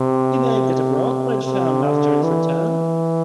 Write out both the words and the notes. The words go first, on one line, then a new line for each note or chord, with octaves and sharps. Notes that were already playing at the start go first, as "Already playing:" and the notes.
He worked at a brokerage firm after his return.
Already playing: C3
C3
D3
E3